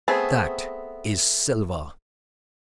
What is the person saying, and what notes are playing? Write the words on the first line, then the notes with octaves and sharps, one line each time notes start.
That is silver!
A3 B3 C4 G#4